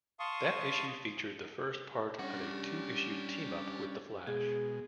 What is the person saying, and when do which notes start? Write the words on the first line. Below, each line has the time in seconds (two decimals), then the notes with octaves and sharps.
That issue featured the first part of a two-issue team-up with the Flash.
0.19 F5 A5 C6 C#6 D#6
2.19 G3 C#4 D4 G4 F#5
4.27 B2 G#3 G#4